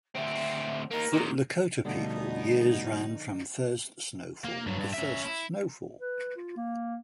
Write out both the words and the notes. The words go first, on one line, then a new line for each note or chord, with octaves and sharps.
For Lakota people, years ran from first snow fall to first snowfall.
D2 C4 E5
A#3 D#4 A#4
A#2 D#3
B2 D3 F3 G3 A3 B3 D#4
A#3
G2 F#3
G2
C#4 E5
E4
B4
F4
A#3